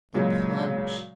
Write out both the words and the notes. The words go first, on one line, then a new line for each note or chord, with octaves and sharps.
They plunged.
A#2 C#3 F#3 G#3